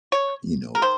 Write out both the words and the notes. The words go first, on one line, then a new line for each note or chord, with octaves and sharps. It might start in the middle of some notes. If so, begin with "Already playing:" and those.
you know,
C#5
A#4
D#3 C5